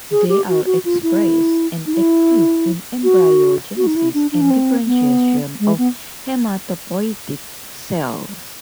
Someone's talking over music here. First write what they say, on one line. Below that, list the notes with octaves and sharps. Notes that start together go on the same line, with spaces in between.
They are expressed and active in embryogenesis and differentiation of hematopoietic cells.
G#4
G4
F#4
F#4
F4
E4
D#4
E4
F#4
F#4
D#4
E4
D4
D4
C#4
C4
B3
G#3
B3